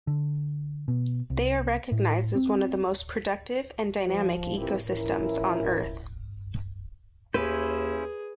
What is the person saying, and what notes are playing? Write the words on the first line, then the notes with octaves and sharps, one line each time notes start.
They are recognized as one of the most productive and dynamic ecosystems on Earth.
D3
B2
C2
A2
C4
F3
E3 C4 E4 F4 G4 A#4
E3 F3 C#4 E4 A#4
D#2 C#4 E4 G#4 B4 C5